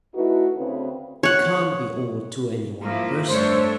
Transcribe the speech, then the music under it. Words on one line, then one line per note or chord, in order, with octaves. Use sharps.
We can't be all to any one person.
A3 D#4 E4 F#4 B4
D2 C#3 C4 B4
C#5 F#5
F3 A#3 E4 F4
G2 A3 D4 A4 C5 C#5